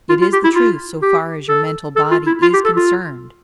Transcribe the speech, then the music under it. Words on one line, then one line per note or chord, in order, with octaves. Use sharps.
It is the truth so far as your mental body is concerned.
F4
F4
G4
E4
F4
G4
A4
A4
F4
E4
F4
G4
A4
F4